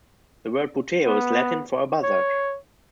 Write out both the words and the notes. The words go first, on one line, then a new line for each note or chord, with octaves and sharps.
The word "buteo" is Latin for a buzzard.
B3
C#5